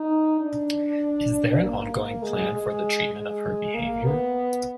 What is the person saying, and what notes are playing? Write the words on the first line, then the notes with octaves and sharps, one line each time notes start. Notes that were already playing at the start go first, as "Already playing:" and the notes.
Is there an ongoing plan for the treatment of her behaviour?
Already playing: D#4
D4
A#3
G#3
G#3
G#3
A#3
B3